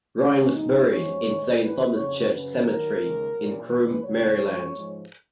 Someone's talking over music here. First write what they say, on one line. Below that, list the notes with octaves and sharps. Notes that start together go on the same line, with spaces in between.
Ryan was buried in Saint Thomas Church Cemetery in Croom, Maryland.
G#2 D#3 G#3 C#4
F2 C#3 G#3 D#4
F#2 F3 G#3 C#5
G#2 D#3 G#3
A#2 F#3 B4
F2 C#3 F#3 C#5
F#2 C#3 F#3 B4
D#2 D#3 F#3 A#4
D#2 C#3 G#3
A#2 F#3
F2 D#3 G#3 B4
F2 C#3 F#3 C#5
F#2 F3 G#3
G#2 F3 G#3